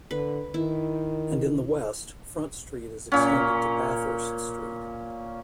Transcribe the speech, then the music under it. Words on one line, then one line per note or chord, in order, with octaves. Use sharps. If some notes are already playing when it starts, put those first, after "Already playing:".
And in the west, Front Street is extended to Bathurst Street.
D3 B4
D#3 E4
A#2 C#4